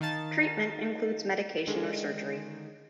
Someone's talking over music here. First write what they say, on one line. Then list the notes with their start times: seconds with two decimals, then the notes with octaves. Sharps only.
Treatment includes medication or surgery.
0.01 D#3 D#4 F5 A5 A6
1.67 D3 D#3 G#3